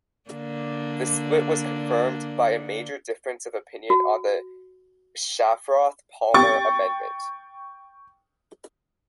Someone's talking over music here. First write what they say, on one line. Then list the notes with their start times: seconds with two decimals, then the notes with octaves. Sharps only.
The split was confirmed by a major difference of opinion on the Shafroth-Palmer Amendment.
0.30 D3 A#3 D4
3.90 F#4
6.34 G5 C#6 A6